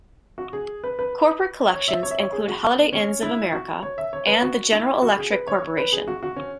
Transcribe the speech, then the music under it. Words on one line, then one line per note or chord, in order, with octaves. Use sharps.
Corporate collections include Holiday Inns of America and the General Electric Corporation.
F#4
G#4
B4
B4
C#5
E5
C#5
E5
C#5
G#4
F#4
B3
C#4
E4
F#4
C#5
E5
C#5
B4
F#4
E4
F#4
G#4
B4
C#5
C#5
B4
G#4
F#4
F#4
C#4